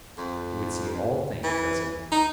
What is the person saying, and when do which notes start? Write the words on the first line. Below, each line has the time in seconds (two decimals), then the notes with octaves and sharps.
He would see all things as in a dream.
0.18 F2
1.43 E3
2.12 D#4